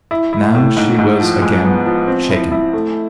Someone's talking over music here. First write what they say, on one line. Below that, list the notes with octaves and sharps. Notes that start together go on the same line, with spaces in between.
Now she was again shaken.
E4
E4
A2
G#2
G#2
F3
G#3
B3
F3
C4
E4
E4
A3